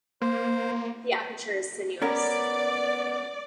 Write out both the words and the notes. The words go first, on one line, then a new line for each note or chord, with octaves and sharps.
The aperture is sinuous.
A#3 C5
B3 C#4 A#4 D5